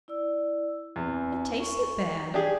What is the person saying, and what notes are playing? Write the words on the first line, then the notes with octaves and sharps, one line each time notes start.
It tasted bad.
E4 D5 E6
E2 C4 G#5
C#6
D4 G4 G#4